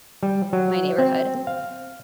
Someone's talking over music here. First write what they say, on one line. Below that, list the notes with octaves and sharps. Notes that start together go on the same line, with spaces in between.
my neighborhood,
G3
F#3
C4
F5